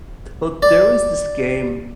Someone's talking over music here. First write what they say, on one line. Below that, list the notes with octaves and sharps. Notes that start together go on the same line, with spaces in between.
Well, there was this game
D5